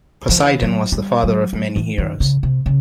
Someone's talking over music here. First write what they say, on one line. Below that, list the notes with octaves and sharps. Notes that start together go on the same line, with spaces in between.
Poseidon was the father of many heroes.
F3
E3
F#3
G3
F#3
F#3
E3
D#3
C#3
C3
C#3